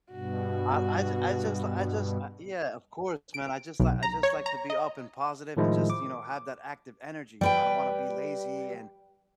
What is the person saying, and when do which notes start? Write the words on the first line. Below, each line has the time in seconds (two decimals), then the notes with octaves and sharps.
I I j I just I just, uh, yeah, of course, man, I just like I just like to be up and positive and just, you know, have that active energy, I don't wanna be lazy and
0.11 G2 B2 F#4
3.34 D7
3.80 B1
4.03 A#5
4.23 C#5
4.46 A#5
4.70 D#5
5.57 A2 D#3 F3 G#3 E4
5.90 D6
7.41 G3 B4 G5